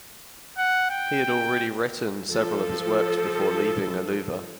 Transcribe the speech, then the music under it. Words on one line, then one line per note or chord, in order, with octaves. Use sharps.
He had already written several of his works before leaving Aluva.
F#5
G5
F3 A4